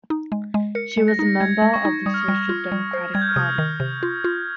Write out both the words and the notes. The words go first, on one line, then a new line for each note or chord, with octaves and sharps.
She was a member of the Social Democratic Party.
D#4
G#3
G#3
A#4 C#7
C#7
G#3
A#6
D#4
A#6
G#3 G#6
G#3
C#6
D#4
G3 D#6
F6
D#6
G3
F4
G3
C5
G3 G#6
G6
F6
C3 D#6
D#3
C3
F4
F4